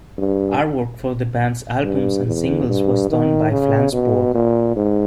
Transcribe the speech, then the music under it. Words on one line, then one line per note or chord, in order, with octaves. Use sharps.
Artwork for the band's albums and singles was done by Flansburgh.
G2
G2
E2
G2
D#3
C#3
B2
A#2
G#2